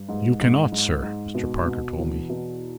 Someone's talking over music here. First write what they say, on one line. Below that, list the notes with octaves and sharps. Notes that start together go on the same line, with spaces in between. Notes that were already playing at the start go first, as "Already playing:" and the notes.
"You cannot, sir," Mr. Parker told me.
Already playing: G2
G#2
G#2
G#2
G#2
B2
B2
E2
B2